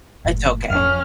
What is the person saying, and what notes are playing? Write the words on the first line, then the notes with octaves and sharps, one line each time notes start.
It's okay.
F#1 A2
F2 F3 C#4 F6